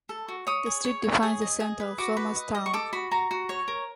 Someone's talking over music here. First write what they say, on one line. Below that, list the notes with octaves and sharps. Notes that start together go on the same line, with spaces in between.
The street defines the centre of Somers Town.
A4
F#4
C#5 D#6
G#4
C#5
C#5
G#4 D#6
D#5
G#4
B4
F#4 D6
B4
D#5
D#5
C#6
A4 D6
F#4 B5
F#4 A#5
F#4
C#5
A#4